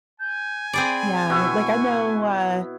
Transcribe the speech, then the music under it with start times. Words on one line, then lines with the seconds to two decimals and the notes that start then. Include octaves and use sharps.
Yeah, like, I know, uh
0.20 G#5 G6
0.73 C4 G#4 D5 B5
1.30 B2 E4 E5 C#6